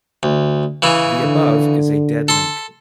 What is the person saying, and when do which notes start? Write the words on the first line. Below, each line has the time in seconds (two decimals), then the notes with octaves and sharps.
The above is a dead link.
0.23 D2
0.82 C#3 E3 E4
1.21 D3
2.28 A4 C6